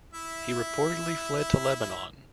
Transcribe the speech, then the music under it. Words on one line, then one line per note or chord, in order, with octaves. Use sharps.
He reportedly fled to Lebanon.
E4 E5